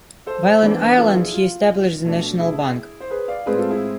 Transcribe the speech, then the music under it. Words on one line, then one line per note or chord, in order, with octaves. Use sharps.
While in Ireland he established the National Bank.
A4 C5
E3 B3 D4
F4 A4
E4 G#4
F4
B2 A3 D4
E4 G#4
C5
G#4 B4
D5 F5
A2 G#3 C4 G#4 B4
F4 A4
E4 G#4